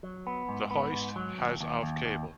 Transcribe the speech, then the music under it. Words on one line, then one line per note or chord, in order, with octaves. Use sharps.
The hoist has of cable.
F#3
B3
G#2
B3
G#2
F#3
D#2
D#2
D#2
D#2